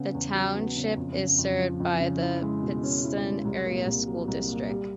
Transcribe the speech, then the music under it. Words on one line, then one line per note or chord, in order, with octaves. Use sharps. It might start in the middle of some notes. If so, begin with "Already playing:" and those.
The township is served by the Pittston Area School District.
Already playing: C#3 B3
E2
F#3
B3
C#3
F2
C#3
F2
F3
F2
C#3
E4
G#3
B2
C#4
E4
G#3
C2
A#2
C2
F#3
C2
A#2
G3